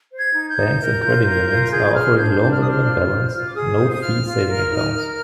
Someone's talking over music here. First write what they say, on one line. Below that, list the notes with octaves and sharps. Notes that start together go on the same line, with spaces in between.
Banks and credit unions are offering low minimum balance, no-fee savings accounts.
C5
G#6
D#4
G6
D#4
A#4
F4
A#4
F4
G#4 G6
C5 F6
D4 G6
D4 G6
F6
C5 D#6
F6
F4
C5
F4
D6
G#4 D#6
C5
D#6
F4 F6
F4
A#4
D#4
A#4